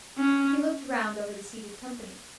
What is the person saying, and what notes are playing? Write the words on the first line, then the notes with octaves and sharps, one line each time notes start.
He looked round over the seated company.
C#4